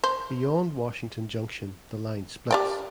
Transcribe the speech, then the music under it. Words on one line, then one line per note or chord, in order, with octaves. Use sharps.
Beyond Washington Junction the line splits.
C5
G4 D5 G5